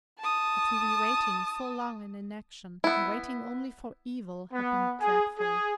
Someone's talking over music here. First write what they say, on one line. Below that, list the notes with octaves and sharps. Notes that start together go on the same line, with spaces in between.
But to be waiting so long in inaction, and waiting only for evil, had been dreadful.
A5 D#6
B3 E4
B3
G#4
G#4